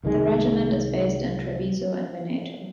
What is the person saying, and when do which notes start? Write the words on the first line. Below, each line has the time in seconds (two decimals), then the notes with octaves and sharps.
The regiment is based in Treviso in Veneto.
0.03 C2 D#3 G3 G#3